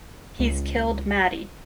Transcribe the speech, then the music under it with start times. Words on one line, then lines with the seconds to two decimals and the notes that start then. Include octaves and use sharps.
He's killed Maddie.
0.39 C#2